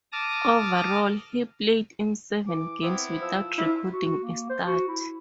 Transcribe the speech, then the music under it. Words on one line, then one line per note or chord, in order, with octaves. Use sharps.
Overall, he played in seven games without recording a stat.
A5 D6 D#6 F6 A#6
E3 D6
B3 C4 E4
F3 E6
D4 E4 F4
F#4
F#4
A#3
C5
F#4
E4